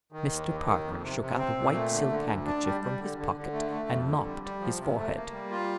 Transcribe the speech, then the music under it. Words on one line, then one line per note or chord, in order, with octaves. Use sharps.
Mr. Parker shook out a white silk handkerchief from his pocket and mopped his forehead.
D#3
D#2
D#2
D#3
F2
C3
C3
C4
A#2
A3
D3
D3
D2
D4
G3
G3
D3
D3
D3
A3
A3
F2
D3
G3
G3
F3
C3
A3
A#3
G3
F4